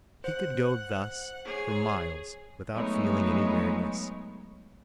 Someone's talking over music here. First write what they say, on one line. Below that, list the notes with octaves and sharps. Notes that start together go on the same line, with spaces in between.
He could go thus for miles without feeling any weariness.
C5 F#5
G#4 C#5 G#5
F#3 G#3 A3 B3 D#4 C#5